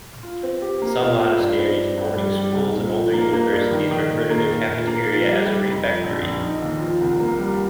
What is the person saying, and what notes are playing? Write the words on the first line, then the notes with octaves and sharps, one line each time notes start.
Some monasteries, boarding schools, and older universities refer to their cafeteria as a refectory.
F4
C4
G4
A#3
F4
F4
G2
C4
G2
G2
G3
G3
C2
A#2
F3
A#3
A#3
G2
D#3
D#3
A#2
A#3
A#2
A#2
A#3
F3
G3
G3
F1
F2
A#1
A#1
D#4
D#2
F3
C2
A#3
G3